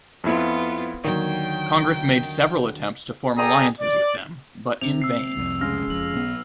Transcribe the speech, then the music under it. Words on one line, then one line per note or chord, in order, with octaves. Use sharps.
Congress made several attempts to form alliances with them, but in vain.
F2 B3 E4 F4
D#2 D3 D#3 F#3 G5
G#4 A4 D5 G5 A#5 D#6
D5
C3 F7
E6 C7
C2 F2
C#3 G#3 F6 A#6
F2 F#7
B1 B3